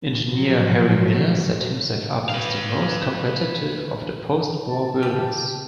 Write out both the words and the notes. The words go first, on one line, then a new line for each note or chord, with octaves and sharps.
Engineer Harry Miller set himself up as the most competitive of the post-war builders.
F3 F#3
B4 F5
A5
C#3 G4